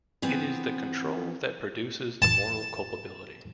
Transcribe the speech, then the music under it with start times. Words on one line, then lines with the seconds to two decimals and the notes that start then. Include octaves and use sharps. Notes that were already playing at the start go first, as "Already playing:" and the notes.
It is the control that produces the moral culpability.
0.22 E3 F3 B3 C4
2.22 A5